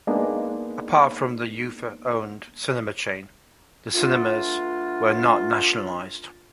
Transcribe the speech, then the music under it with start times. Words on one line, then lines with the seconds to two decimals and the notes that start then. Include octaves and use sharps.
Apart from the Ufa-owned cinema chain, the cinemas were not nationalized.
0.07 G#3 A#3 B3 D4 D#4
3.94 A3 B3 D4 F4